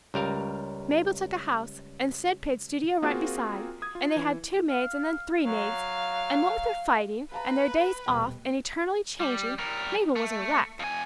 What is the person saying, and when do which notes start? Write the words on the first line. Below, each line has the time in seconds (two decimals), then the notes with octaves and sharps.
Mabel took a house, and Sid paid studio rent beside, and they had two maids, and then three maids,--and what with their fighting, and their days off, and eternally changing, Mabel was a wreck.
0.14 C#2 G3 A#4 F5
3.02 A#3 C4 F4 F#4 G#4 A#4
3.82 D#6 G#6
3.95 F4
4.16 E3
4.69 F5
5.46 F#3 F5
7.32 B4 F5 A5 A#5
8.06 D#1 B2 G5
9.20 G3
9.59 G3 A#4
10.16 A3
10.80 F2 G#5